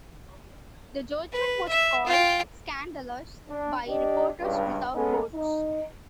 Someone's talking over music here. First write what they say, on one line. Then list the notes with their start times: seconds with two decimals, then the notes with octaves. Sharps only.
The judgment was called "scandalous" by Reporters Without Borders.
1.32 B4
1.68 E5
2.06 F4 G5
3.48 D4
3.88 D4 G4 D5 D#5
4.41 C#2 G2
4.95 G#3 B3 C#4 A4
5.34 D#4